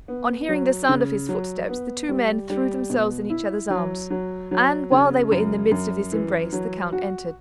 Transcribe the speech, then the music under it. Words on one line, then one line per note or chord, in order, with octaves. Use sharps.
On hearing the sound of his footsteps, the two men threw themselves in each other's arms, and while they were in the midst of this embrace, the count entered.
B3
F#3
C#3
F#3
B3
G3
G3
B2
E4
F#3
F#3
F#3
C#3
F#2
F#2
E3
F#3
F#4